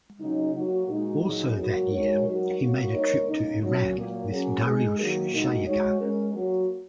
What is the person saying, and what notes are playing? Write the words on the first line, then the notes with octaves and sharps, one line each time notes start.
Also that year, he made a trip to Iran with Dariush Shayegan.
C#3 F#3 D#4
F#3 A#3 F#4
A#2 G#3 D#4 F#4
A#2 F#3 D#4 G#4
F#3 A#3 F#4 A#4
G#3 D#4 F#4 A#4 C#5
F#3 D#4 F#4 A#4
A#3 F#4 C#5
A#3 D#4 A#4 C#5
C#3 A#3 D#4
A#2 F#3 C#4
A#2 F#3 A#3
F#3 A#3 C#4 G#4
G#3 D#4 G#4
D#3 F#3 A#3 F#4 A#4
A#2 G#3 D#4 F#4
G#3 F#4 C#5
G#3 C#4 A#4
F#3 A#3 F#4